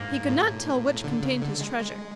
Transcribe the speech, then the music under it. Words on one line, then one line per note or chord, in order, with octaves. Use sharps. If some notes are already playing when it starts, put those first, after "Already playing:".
He could not tell which contained his treasure.
Already playing: G#2 A#3
A2
D3
C#3
D3
G#3
G#3